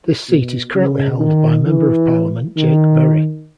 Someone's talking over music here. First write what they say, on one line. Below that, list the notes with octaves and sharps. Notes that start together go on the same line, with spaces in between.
This seat is currently held by Member of Parliament Jake Berry.
B2
C#3
D#3
E3
D#3